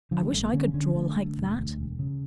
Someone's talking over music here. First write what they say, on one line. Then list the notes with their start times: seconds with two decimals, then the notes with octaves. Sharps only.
I wish I could draw like that.
0.11 D3 F3
0.22 G3
0.32 A1 A3
0.43 A#3
0.53 D3 C#4
0.74 D3 C#4
0.95 D3 A3
1.16 D3
1.37 E1
1.57 D2
1.78 E1
1.99 C#3